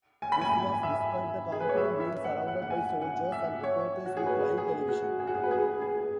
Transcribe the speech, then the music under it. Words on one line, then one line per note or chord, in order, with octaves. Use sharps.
This was despite the compound being surrounded by soldiers and reporters with live television.
G#5
B5
G#5
E5
G#4
B4
C#5
E5
E5
F#5
F#5
F#5
G#5
F#5
E5
C#5
F#4
G#4
B4
G#4
F#4
G#4
F#4
G#4
B4
G#4
G#4